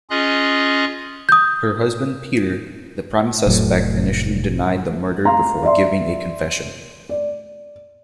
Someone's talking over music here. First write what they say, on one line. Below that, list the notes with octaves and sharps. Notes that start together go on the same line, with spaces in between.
Her husband Peter, the prime suspect, initially denied the murder before giving a confession.
C#4 F4 G#4 D#5 F#6
D#6 G6
F1 A2 F#3
F5 A#5 C6
D5 E5 C6
D5